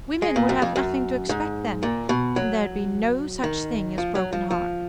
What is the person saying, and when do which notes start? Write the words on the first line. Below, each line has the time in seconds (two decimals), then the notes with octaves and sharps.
Women would have nothing to expect then, and there'd be no such thing as broken hearts.
0.22 G#3
0.36 A#2
0.49 F#2
0.62 F2
0.76 F#2
1.29 G#2
1.83 A#2
2.09 B2
2.36 F#3
3.44 D#3
3.98 F3
4.15 F#3
4.33 F3
4.51 F3